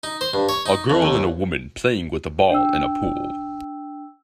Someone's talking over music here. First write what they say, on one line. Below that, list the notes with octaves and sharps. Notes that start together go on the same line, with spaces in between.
A girl and a woman playing with a ball in a pool.
D#4
C5
G2
C#5
D#4
F2
D#2
D4 G5 E6